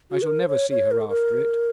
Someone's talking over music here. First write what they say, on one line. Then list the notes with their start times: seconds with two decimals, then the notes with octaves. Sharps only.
I shall never see her after it.
0.11 F#4
0.22 B4
0.26 A#4
0.43 C5
0.48 C#5
0.70 C#5
0.91 A#4
1.01 A4
1.09 A#4